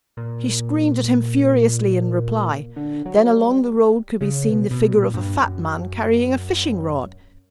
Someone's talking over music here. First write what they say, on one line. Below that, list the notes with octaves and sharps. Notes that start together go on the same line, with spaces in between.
She screamed at him furiously in reply. Then along the road could be seen the figure of a fat man carrying a fishing rod.
A#2
D3
F#3
G3
C#3
B2
B2
A#2
G2
F#2